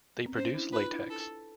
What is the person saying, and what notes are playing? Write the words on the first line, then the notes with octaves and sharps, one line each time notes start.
They produce latex.
B3
C4
C#4 C5
D4 E4
D#4 F4 B4
D4 E4
A4